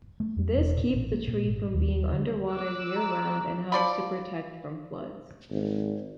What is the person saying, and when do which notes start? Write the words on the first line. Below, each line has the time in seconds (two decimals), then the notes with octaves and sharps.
This keep the tree from being underwater year-round and helps to protect from floods.
0.20 A3
0.36 F2
0.56 E1
0.77 A#2
0.94 A1
1.12 A#3
1.28 A#2
1.45 G#1
1.74 D#2
2.12 D3
2.49 D6 E6 F#6
2.96 A#5
3.72 F3 D5 B5
5.50 G#1